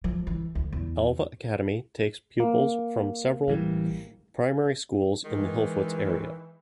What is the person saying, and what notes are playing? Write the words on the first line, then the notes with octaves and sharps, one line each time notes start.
Alva Academy takes pupils from several primary schools in the Hillfoots area.
F3
E3
D2
E2
A#3
A1 E3 G3
D#3 E3 G#3